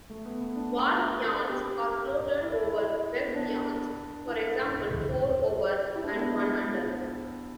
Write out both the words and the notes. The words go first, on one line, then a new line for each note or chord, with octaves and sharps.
Warp yarns are floated over weft yarns, for example four over and one under.
A3
B3
B3
D4
G4
E4
B3
D4
E4
G4
E4
D4
B3